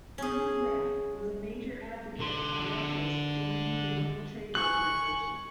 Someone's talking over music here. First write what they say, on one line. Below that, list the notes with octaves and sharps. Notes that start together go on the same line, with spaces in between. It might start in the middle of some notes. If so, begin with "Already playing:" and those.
Herman Gref was a major advocate of Russia's joining the World Trade Organisation.
C#4 G#4
D3 C6
G#5 C#6 F#6